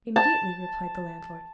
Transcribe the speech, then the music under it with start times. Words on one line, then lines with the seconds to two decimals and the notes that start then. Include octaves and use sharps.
"Immediately," replied the landlord.
0.16 A5